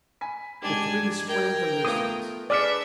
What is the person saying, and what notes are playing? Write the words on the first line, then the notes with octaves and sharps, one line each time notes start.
The three sprang from their seats.
G#5 B5 B6
G#2 D4 G4 G#5 G#6
A#4 G5
A3 B3 F4 D#6
D4 G#4 B4 D5 E5 F6 C#7